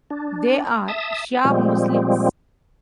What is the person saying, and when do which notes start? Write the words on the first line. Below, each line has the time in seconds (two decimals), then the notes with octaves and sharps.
They are Shia Muslims.
0.10 D4
0.88 E5 A5 D#6
1.45 A#2 F3 G3 G#3 C4